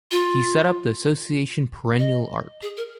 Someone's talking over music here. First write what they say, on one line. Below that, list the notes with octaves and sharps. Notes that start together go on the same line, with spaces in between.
He set up the association Perennial Art.
F4
D#5
G#4
A#4